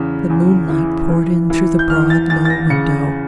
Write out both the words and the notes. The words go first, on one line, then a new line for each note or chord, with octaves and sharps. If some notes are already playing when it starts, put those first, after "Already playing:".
The moonlight poured in through the broad, low window.
Already playing: E2 C#3
E2
E3
E3
E3
G6
E2 F6
A6
E2 A6
A6
A#6
C#3 C#7